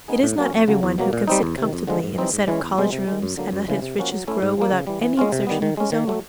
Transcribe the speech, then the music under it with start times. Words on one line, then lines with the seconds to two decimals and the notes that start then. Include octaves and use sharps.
'It is not every one who can sit comfortably in a set of college rooms, and let his riches grow without any exertion of his own.
0.08 B3 D#4 G#4
0.23 A2
0.38 F#3 A#3 C#4
0.53 F2
0.68 C#3 F#3 A3
0.83 E2
0.98 B2 F#3 A#3
1.13 A#2
1.28 G3 C4 D#4
1.43 E2
1.58 C3 D#3
1.73 F2
1.87 D3 F3 G#3
2.03 G#2
2.18 E3 G3 C4 D#4
2.33 G#2
2.48 E3 G#3 C#4
2.63 E2
2.78 B2 G#3 C4
2.93 C3
3.07 D#3 G#3
3.22 F#2
3.37 D3 F#3 A#3
3.52 F#2
3.68 C#3 E3 G#3
3.82 C3
3.98 F3 A#3 C#4 F#4
4.12 F#3
4.28 A3 C#4 E4
4.42 G#2
4.57 F3 A#3
4.73 C#3
4.87 E3 G3
5.03 E3
5.17 G#3 C#4 F4
5.32 C3
5.47 D#3 G3 B3
5.62 D#3
5.77 G#3 C#4
5.92 D#3
6.08 F#3 A3